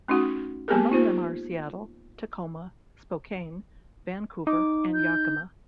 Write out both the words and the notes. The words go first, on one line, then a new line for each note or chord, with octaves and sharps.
Among them are Seattle, Tacoma, Spokane, Vancouver, and Yakima.
A3 C#4 D#4 F#4 F#5
G#3 A#3 B3 G4 G#4 A#4
D#4 F4 C5
D#4 D6
G6